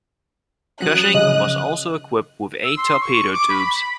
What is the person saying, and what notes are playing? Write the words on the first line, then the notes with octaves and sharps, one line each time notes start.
"Cushing" was also equipped with eight torpedo tubes.
F3 F#3 C#4 D#6 F#6
C#3 D#5
E6
C6
C#6
D6
B5